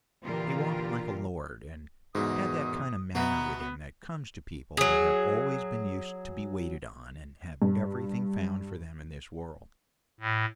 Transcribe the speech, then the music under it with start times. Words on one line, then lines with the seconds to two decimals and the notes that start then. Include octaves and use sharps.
He walked like a lord, and had that kind of manner with him that comes to people that have always been used to be waited on and have everything found for them in this world.
0.23 A#2 D3 E3 F4 G4 A#4
2.15 E2 G#2 B2 D#3 B3 D#6
3.15 B2 B3 F#4 E5 A#5
4.77 F#3 G#4
7.62 G2
10.20 A2